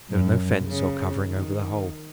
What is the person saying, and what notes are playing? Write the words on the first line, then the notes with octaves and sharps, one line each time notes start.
There was no fence or covering over the hole.
F#2
C#3
D#3